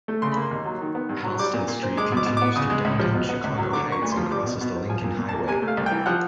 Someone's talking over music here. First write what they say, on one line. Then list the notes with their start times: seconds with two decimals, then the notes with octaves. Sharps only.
Halsted Street continues through downtown Chicago Heights and crosses the Lincoln Highway.
0.08 A3
0.22 C#3 C6
0.32 B5
0.37 A#3 C6
0.51 D#2
0.65 F#3
0.81 D#3
0.95 B3
1.09 G2
1.24 F#3
1.39 G3 D6
1.54 A#2
1.68 A#2
1.83 C4
1.97 G#3 D6
2.12 B2 D6
2.26 B2
2.37 B3 D6
2.56 C#3 D#6
2.70 G#3
2.85 C#2
3.00 F3
3.14 B2
3.29 B3
3.44 C#2
3.58 F#3
3.73 D3 D6
3.87 A#3
3.92 C#6
4.02 D2
4.12 F3 C6
4.31 G3 D6
4.46 B2
4.61 B2
4.75 C4
4.89 F3 G#5
5.04 A#2
5.19 A#2
5.29 A#3 A5
5.48 C3 G#5
5.62 A3
5.68 F5
5.77 C2
5.86 G5
5.92 E3
6.06 F3 F#5